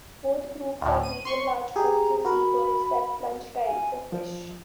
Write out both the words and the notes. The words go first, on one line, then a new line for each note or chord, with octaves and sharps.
Both groups are medium-large coastal seabirds that plunge-dive for fish.
D2 A2
D#7
C6 C#6
G4 G#4 A#5
F#4 A#4 B5
G#5
F3